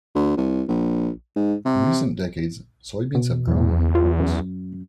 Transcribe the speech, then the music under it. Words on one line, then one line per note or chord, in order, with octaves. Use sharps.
In recent decades soybeans have grown in importance.
D2
C2
A#1
G#2
C3
B2
E2
F4
F#2